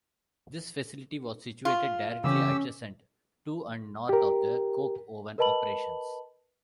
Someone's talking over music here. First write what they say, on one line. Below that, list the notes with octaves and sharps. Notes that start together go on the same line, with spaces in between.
This facility was situated directly adjacent to and north of the coke oven operations.
F4
C#3 E3 C#4 G4 E6
G4 A#4
A#4 B4 D#5 A5 B5 F#7